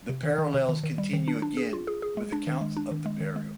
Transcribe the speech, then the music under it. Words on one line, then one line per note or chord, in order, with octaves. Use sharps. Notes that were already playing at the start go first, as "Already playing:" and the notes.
The parallels continue again with accounts of the burial.
C3
D#3
D#3
C3
D#3
D#3
G3
D#3
D4
D4
G#4
F4
G#4
G#4
G#3
D4
D#3
G#3
D4
D#3
G#3
D#3
G#3